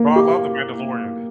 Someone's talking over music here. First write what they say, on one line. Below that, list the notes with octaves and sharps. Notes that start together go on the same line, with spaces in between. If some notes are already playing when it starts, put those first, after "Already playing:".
Bro, I love The Mandalorian.
Already playing: A#3
G4